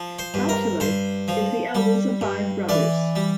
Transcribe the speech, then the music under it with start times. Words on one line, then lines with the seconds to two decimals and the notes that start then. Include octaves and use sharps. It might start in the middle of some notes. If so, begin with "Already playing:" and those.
Batchelor is the eldest of five brothers.
Already playing: F3
0.19 C5
0.34 G2
0.49 A#4
0.80 G2 C5
1.28 F3
1.75 G3
2.21 G2
2.69 E3 D5
3.16 G3